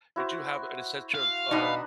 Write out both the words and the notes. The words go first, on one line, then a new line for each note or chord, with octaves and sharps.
you do have an essential, um,
E4 F#4 C5
F5
B2 D4 D#4 B4 B5